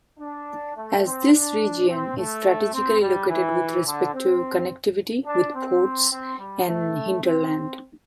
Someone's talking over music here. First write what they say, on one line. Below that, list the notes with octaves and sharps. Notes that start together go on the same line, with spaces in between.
As this region is strategically located with respect to connectivity with ports and hinterland.
D4
A3
C4
D4
C4
A3
C4
G3
E3
D3
C4
D4
C4
C4
G3
A3
C4